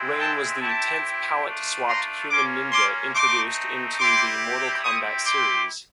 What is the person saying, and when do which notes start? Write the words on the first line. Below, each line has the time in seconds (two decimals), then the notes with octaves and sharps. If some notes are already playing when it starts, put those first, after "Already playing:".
Rain was the tenth palette-swapped human ninja introduced into the "Mortal Kombat" series.
Already playing: G#3 C4 E4
0.19 G5 A5
0.61 C4 E4 G4 G5 A5
1.46 A3 D4 F4
1.88 A#5 C6
2.30 A#3 C#4 F4 C6 D6
2.72 C6 D6
3.15 A3 C4 D#4 C6 D6
3.99 G3 C4 E4 G4 C6 D6
4.84 C4 E4 G4 C#6 D#6
5.27 C6 D6